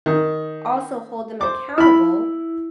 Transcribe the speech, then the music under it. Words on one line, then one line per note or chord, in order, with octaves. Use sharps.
also hold them accountable
D#3
C5 D6
E4 B5 F6